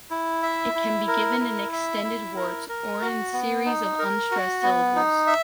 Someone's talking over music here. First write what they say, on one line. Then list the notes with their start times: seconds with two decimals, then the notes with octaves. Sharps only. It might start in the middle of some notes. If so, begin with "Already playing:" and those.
It can be given in extended words or in series of unstressed syllables.
0.11 E4
0.43 E5
0.75 E4
1.08 A#4
1.40 E4
1.72 E5
2.04 E4
2.36 A#4
2.69 A#4
3.02 F#4
3.33 B3
3.66 D#4
3.99 A#4
4.31 F#4
4.63 B3
4.96 D#4
5.27 E5